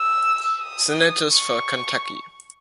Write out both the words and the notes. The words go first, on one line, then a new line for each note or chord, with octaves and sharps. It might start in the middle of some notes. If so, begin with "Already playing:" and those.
Senators for Kentucky.
Already playing: E6
D#6
C#6